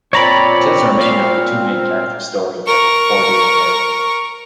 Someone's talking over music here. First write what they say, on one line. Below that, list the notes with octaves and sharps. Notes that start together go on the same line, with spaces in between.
It tells the remainder of the two main characters' story after their four-day affair.
A#2 C4 C#5 D5 A#5 B5
F5
A#4 C#6